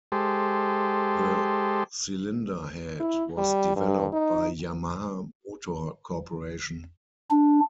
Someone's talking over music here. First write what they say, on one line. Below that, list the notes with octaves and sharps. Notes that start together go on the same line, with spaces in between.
The cylinder head was developed by Yamaha Motor Corporation.
G#3 G4 A4 C5
E4
G3
G2
D#4
D4